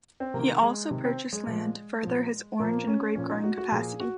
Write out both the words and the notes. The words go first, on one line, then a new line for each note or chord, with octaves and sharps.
He also purchased land to further his orange and grape growing capacity.
C4
C3 D#3 A#3
G#3
C3 D#3
C4
G#3
A#2 F3
A#2 F3
A#2 F3 A#3
C#4
A#2 F3 C#4
D#4
F#4
F#4
A#2 F3 G#4
F#4